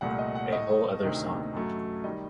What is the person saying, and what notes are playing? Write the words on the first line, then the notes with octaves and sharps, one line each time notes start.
A whole other song.
C2 A#2 A3 F#5
D#5
F#5
A2 A3 D#5
D2 C3 D#3
F#2 F#3 A3
D#3 G3 D#5